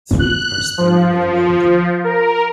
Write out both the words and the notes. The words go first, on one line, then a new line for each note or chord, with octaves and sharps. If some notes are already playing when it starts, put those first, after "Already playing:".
Three are standing on a mountain.
F#6
F3
A#4